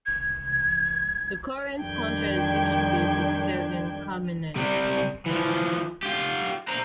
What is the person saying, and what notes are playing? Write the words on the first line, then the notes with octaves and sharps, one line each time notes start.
The current County Executive is Kevin Kamenetz.
G#6
F2 D#3 G3 D4 G5 G#6
C3 G3
E3 F3
F4 G4
C5 A#5